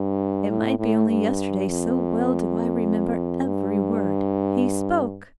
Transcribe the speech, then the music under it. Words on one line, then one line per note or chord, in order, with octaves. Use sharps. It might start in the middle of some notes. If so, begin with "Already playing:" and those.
It might be only yesterday so well do I remember every word he spoke.
Already playing: G2
A2
A2
G2
F2
G2